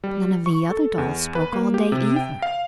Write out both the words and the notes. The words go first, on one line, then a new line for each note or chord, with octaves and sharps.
None of the other dolls spoke all day, either.
G3
C#6
A4
E2
B4
A#3
G4
C3
G5
F5